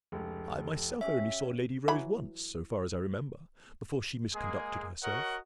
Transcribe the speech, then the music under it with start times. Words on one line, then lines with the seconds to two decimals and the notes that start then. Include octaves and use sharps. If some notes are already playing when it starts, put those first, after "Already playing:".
I myself only saw Lady Rose once, so far as I remember, before she misconducted herself.
0.12 F1 C#2
1.01 C#4 G4 E5
1.88 E3 F#3 B5
4.34 G#3 A#3 G#4
5.03 F#4 A#4 C#5 D#5 F#5